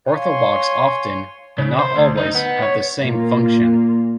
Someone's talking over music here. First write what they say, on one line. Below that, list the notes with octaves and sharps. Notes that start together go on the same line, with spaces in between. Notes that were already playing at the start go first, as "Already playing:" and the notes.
Orthologs often, but not always, have the same function.
C#5 F5 G#5 C6
C#3
C5
D2
D#4
B3
C#5
A#2 A#3 F4